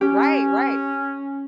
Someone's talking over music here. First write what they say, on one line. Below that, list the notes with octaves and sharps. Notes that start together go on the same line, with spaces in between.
Right, right.
C#4 G4